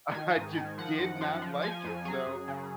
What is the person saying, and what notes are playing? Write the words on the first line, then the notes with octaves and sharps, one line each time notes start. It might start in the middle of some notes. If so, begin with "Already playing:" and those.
I just did not like it, so
D#3 G#5
G#2
D#3
F3 F#5
F#2
F3
F3
F3 G#5
F2
F#3 G#4
F#2
C#3